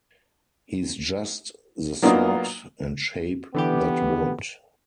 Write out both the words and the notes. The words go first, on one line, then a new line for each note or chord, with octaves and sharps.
He's just the sort and shape that would.
F#3 A#3 B3 D4 D#4 F4
D3 E3 B3 G4